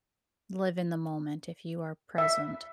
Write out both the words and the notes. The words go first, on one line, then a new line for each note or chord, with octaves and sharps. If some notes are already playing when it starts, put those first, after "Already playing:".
live in the moment, if you are present,
E5